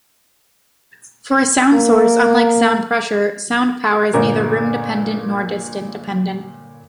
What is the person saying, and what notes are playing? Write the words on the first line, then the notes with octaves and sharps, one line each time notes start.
For a sound source, unlike sound pressure, sound power is neither room-dependent nor distance-dependent.
A#3
G1 A#2 A#4